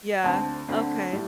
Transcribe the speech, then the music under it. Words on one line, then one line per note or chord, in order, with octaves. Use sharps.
Yeah, okay.
D2 D3 C4 A5
D2 D3 C4
A2 G3